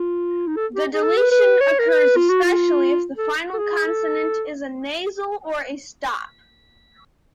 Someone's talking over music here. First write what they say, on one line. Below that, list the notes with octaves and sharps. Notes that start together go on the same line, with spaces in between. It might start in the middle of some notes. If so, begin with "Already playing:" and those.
The deletion occurs especially if the final consonant is a nasal or a stop.
Already playing: F4
D#4
A4
G4
G#4
A4
B4
B4
C#5
A#4
B4
F4
F#4
F4
A4
A4
G#4
A4